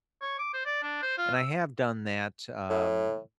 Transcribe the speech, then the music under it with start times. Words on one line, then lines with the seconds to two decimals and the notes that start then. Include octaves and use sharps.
and I have done that, um,
0.21 C#5
0.39 D6
0.54 C5
0.65 D5
0.83 D4
1.02 C5
1.18 F4
1.34 E6
2.70 A2